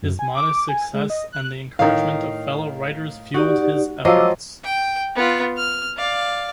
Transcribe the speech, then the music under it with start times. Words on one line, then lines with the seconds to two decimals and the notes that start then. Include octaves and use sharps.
His modest success and the encouragement of fellow writers fueled his efforts.
0.02 F#2
0.19 G#5
0.35 D6
0.69 G#5
0.94 G#3
1.10 D#5
1.32 F#6
1.79 A2 D#3 D#4 F5
3.34 D#4 F#4 G4 D5
4.05 F3 F#3 G#3 D#5 F5 D6 E6
4.64 G5
5.16 B3 F4
5.57 F6
5.97 D5 F5